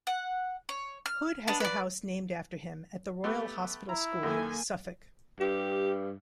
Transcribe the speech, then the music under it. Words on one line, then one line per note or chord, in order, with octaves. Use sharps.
Hood has a house named after him at The Royal Hospital School, Suffolk.
F#5
C#5
F6
B3 D4 D#5
B4 D5
A3 B3 G4
E4 A#5
F#2 D#3 A#3 A4 G#5
G2 G4